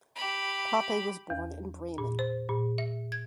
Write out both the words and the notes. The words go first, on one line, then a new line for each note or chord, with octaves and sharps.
Pape was born in Bremen.
G4 B5
E2
A#2
C5
A#2
E5
G#6